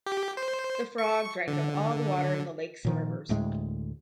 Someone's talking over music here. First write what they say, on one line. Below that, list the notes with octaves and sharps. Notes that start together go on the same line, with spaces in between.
The frog drank up all the water in the lakes and rivers.
G4
C5
C#6
D3
A#2 D#3 F3
D2 A2 G#3